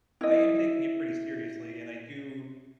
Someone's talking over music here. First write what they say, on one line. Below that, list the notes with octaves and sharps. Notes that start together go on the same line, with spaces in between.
I am taking it pretty seriously, and I do
E4 D#5